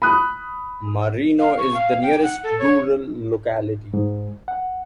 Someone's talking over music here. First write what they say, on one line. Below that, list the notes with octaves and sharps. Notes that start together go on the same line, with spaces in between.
Marino is the nearest rural locality.
B5 D#6 F#6
F5
C#6
F5
G5
F#5
A4
C#5
G#2
F#5